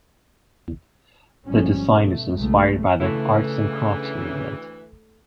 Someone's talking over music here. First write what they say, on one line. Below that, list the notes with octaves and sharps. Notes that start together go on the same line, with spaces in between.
The design is inspired by the arts and crafts movement.
G#1 F3 G3 C#4
B2 A3
B1 C#3 G#3 A3
D2 C#3 E3 A3 E4